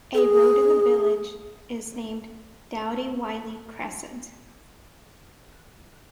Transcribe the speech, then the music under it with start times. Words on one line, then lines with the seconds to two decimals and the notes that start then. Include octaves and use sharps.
A road in the village is named Doughty-Wylie Crescent.
0.14 A4
0.18 G#4